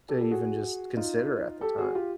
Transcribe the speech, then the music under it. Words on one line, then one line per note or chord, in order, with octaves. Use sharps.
to even just consider at the time.
G4 A4
A4
F#4 G#4
D#4 F4
G4 A4
F#4 G#4
F4 G4